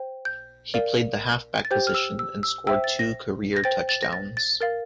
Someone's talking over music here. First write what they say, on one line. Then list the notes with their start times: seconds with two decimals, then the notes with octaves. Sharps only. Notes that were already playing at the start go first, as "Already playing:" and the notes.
He played the halfback position and scored two career touchdowns.
Already playing: C5 G5
0.25 G6
0.74 A#4 D5 F5
1.65 A6
1.71 G4 C5 G5 G6
1.87 F6
1.94 E6
2.19 E6
2.43 E6
2.67 C5 E5 G5 E6
2.84 A6
2.99 A#6
3.57 A#6
3.64 C5 G5 A6
3.89 A6
4.03 A#6
4.13 A6
4.37 A6
4.60 A#4 F5 A6